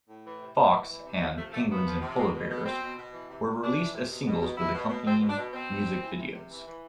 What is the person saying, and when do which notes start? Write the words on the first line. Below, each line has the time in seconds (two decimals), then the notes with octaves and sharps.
"Fox" and "Penguins and Polarbears" were released as singles with accompanying music videos.
0.09 A2
0.25 E3
0.40 C3
0.56 C3
0.73 E3
0.89 E3
1.04 C3
1.21 F3 A3
1.37 C3 A3
1.53 C3 A3
1.69 F3 B3
1.85 F3
2.01 C3
2.17 B2
2.34 B2
2.50 B2
2.65 B2 C4
2.81 B2
2.98 B2
3.13 E3
3.29 C3
3.45 C3
3.61 E3 D4
3.78 E3
3.93 C3
4.09 B2
4.26 B2
4.41 B2
4.57 B2 E4
4.74 B2
4.89 B2
5.05 B2 C4
5.21 B2
5.29 D4
5.38 B2
5.53 B2 C4
5.69 B2
5.85 B2
6.01 E3
6.18 C3
6.33 C3
6.49 E3
6.66 E3